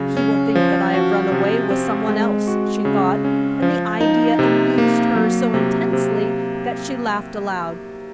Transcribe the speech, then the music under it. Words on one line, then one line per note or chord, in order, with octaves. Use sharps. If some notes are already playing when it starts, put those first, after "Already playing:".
"He will think that I have run away with some one else," she thought; and the idea amused her so intensely that she laughed aloud.
Already playing: C#3 F#3 F#4
C#4
F3
F#4
C3
C4
G#3
F#4
C#3
C#4
F3
D#4
C3
A#3
F#3
C3
C3